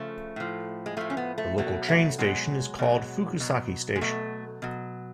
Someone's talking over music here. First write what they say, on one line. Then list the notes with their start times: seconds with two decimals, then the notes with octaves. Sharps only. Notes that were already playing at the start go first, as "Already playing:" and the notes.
The local train station is called Fukusaki Station.
Already playing: C#3 F3 A3
0.36 A2 F3
0.86 G#3
0.97 A2 F3 A3
1.10 C#4
1.17 B3
1.38 A3
1.58 B2 F#3 A3
1.89 A3
2.19 B2 F#3 G#3
2.79 B2 F#3
3.40 B2 F#3
3.96 G#3
4.01 B2 F#3 A3
4.62 B2 F#3